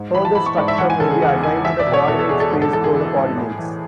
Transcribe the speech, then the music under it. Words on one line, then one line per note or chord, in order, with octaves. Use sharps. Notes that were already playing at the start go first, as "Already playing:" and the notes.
Further structure may be assigned to the coordinate space through the coordinates.
Already playing: G#2
E3 B5
A5
E3 B5
C#6
G#2 D5
E5
E3 F#5
G#5
C#3 A4
G#4
E2 F#5
E2 G#5
E2 E5
D5
B2
C#5
B2 A4
A4
E2 G#4
A4
G#2
A4
E3 A4
G#4
E3
G#2
A2
E3